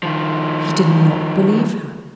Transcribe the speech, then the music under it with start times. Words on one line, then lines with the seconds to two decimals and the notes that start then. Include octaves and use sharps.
He did not believe her.
0.03 D#3 F3